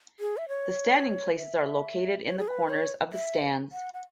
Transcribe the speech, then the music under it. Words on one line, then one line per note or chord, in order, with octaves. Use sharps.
The standing places are located in the corners of the stands.
G#4
E5
C#5
E5
C#5
G#4
B4
C#5
E5
F#5
F#5